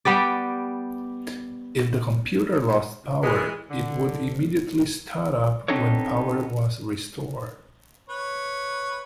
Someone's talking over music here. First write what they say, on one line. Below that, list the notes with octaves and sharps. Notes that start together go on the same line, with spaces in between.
If the computer lost power, it would immediately start up when power was restored.
G3 B3 G4 D5
E3 G#3
D3
B3 C4 D4 D#4 A4 C#5
B4 C#5